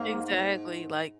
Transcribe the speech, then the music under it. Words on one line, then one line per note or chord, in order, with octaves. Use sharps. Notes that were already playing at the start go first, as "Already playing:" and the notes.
Exactly, like
Already playing: G#2 A#3